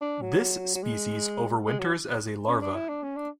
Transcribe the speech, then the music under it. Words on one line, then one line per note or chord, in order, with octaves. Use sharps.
This species overwinters as a larva.
D4
F#3
F#3
G#3
G#3
F#3
C#4
D4
E4
D4
C#4
D4